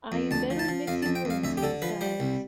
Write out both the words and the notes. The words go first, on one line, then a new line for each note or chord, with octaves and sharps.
I am better at mixing rooms than salads.
F2
D2 A5
F3
A5
F3
F2 F5
A5
F2
G5
F2
F5
D2 E5
G4
D3 A4
F3 B4
G3 C5
C2